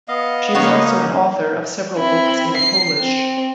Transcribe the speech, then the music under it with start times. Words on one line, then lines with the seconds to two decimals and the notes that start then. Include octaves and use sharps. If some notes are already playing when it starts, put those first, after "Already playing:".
She is also an author of several books in Polish.
0.08 B3 D#5 F5
0.55 C#3 A#3 C#4 D#4 F#4 C#5 B5
1.97 C4 E4
2.57 C7
3.01 C4